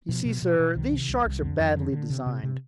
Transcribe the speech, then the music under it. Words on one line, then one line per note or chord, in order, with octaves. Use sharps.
You see, sir, these sharks are badly designed.
B2 F3
B2
B2
B2
C2 D#3
C3
C2
C2
F2 D3
F2
D3
D3
C3
C3
C3